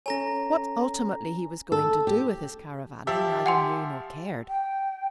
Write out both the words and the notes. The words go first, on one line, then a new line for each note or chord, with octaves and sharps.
What ultimately he was going to do with his caravan he neither knew nor cared.
C#4 A4 C#5 G#5 A#5 A#6
A4
G4
F3 G4 E5
F#5 G#5 C6
G5